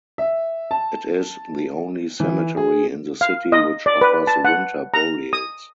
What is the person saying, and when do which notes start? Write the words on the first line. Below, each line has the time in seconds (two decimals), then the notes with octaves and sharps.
It is the only cemetery in the city which offers winter burials.
0.18 E5
0.71 A5
2.20 E3
2.57 G#4
3.21 F5
3.52 D#5
3.86 D5
4.01 B4
4.27 A5
4.45 F#5
4.94 A#5
5.33 D#6